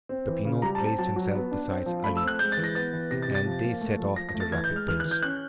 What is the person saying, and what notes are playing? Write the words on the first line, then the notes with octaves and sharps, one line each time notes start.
Peppino placed himself beside Ali, and they set off at a rapid pace.
C4
E3
C#3
G3 A#5
A5
C4
A5
F#3 A5
F#3
B3
D4
C4
F3
A3 B5
E6
C4
F#6
G#3 G6
A6
E3
A#6
B3 A6
E3
C3 A#6
A6
C3
A6
F3
A#3
A3
F3
F3 A#6
A#6
A3
A6
E3 G#6
G6
G#3
F6
E3 F6
F#6
E3
G6
C#4 F#6